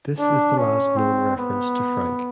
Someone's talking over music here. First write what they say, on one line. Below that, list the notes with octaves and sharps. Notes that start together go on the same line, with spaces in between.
This is the last known reference to Frank.
D4
C#4
C4
B3